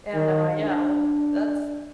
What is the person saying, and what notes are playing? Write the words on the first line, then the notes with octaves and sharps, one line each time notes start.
and, uh, yeah. Well, that's
D#3
D4